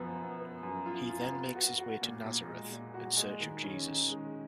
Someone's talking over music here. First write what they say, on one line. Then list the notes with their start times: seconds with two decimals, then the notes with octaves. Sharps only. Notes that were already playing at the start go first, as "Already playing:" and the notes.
He then makes his way to Nazareth in search of Jesus.
Already playing: F#2 F3 B3
0.17 B3
0.40 B3
0.63 F#2
0.86 F4
1.09 F4
1.32 B3
1.55 F#4
1.78 F#4
2.02 A#2
2.24 A#2
2.47 G#3
2.71 A#2
2.94 F#4
3.17 G#3
3.40 D#3
3.63 C#4
3.86 D#3
4.10 G#3